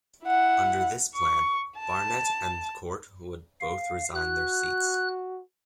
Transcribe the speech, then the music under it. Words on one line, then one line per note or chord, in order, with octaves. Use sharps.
Under this plan, Barnett and Court would both resign their seats.
E4 F#5
C#6
A5
F5
F#4 F#6